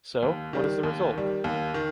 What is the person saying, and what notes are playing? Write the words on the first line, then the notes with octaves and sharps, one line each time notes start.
So, what is the result?
D#2
D#3 G3
D#2
D#3 G3
D#2
D#3